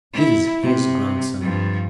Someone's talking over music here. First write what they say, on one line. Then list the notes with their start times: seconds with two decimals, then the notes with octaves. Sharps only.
This is his grandson.
0.13 E4
0.63 C3
1.41 G2 F3